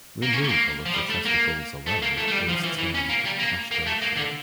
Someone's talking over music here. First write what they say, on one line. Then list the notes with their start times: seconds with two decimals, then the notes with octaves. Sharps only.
Removal of the testicles alone is termed castration.
0.22 A#3
0.33 C#4
0.44 A3
0.48 A#3
0.86 F3
0.93 G3
1.09 A3
1.25 A#3
1.86 A3
2.02 A#3
2.17 A3
2.28 A3
2.32 G3
2.48 F3
2.64 E3
2.78 E3
2.94 C#4
3.09 A#3
3.25 G3
3.39 A#3
3.71 A#3
3.86 A3
4.02 A#3
4.16 D3